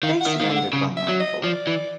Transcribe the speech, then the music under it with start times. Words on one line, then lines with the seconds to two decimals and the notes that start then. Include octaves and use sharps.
They surrendered by nightfall.
0.03 D#3 F5
0.21 F#5
0.26 D#3
0.33 E5
0.39 D#3 F5
0.50 D3
0.56 F#5
0.73 C#3
0.97 E5
1.08 F#3
1.20 D#5
1.44 F3 D5
1.67 E3